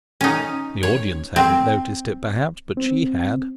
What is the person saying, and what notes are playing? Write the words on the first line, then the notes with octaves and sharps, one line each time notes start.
The audience hadn't noticed it, perhaps, but she had.
C#4 D#4
C#5
C4
C4